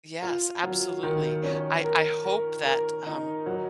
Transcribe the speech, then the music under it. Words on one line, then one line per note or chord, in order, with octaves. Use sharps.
Yes, absolutely. I I hope that, um,
F4
F#3
D#3
C#4
A#4
A#4
A#4
D#4
F#3